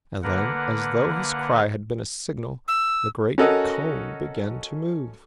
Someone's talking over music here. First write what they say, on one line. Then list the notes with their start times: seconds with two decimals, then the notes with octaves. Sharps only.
And then, as though his cry had been a signal, the great cone began to move.
0.23 D3 A#3 A#4 B4 F#5
2.68 E6
3.38 C#4 F#4 A4 A#4 D#5